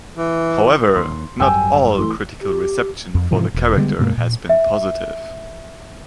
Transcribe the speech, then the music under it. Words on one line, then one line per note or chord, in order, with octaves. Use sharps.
However, not all critical reception for the character has been positive.
E3
D#2 C6
G#1 F#2 G3 G5 G#5 E6
E3 A3 C6
G4
F2
G#2 C3 E3 F3
E1
D3 G3 G#3 B3
G2 B2 G#3 A#3
A#2
E5